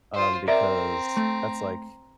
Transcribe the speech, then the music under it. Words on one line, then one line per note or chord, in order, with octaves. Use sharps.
um, because that's, like
F4 C5
C4 A#4 D5 E5 A#5
A3